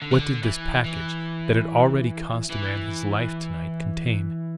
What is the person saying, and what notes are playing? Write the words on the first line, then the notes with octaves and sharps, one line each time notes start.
What did this package, that had already cost a man his life to-night, contain?
D3
E3
D3
E3
E3
E3